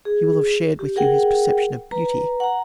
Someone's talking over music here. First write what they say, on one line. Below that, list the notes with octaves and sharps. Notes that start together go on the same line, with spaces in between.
He will have shared with you his perception of beauty.
G#4
G4
G#4 A#4 F#5 G5
B4 A#5
F#5 A#5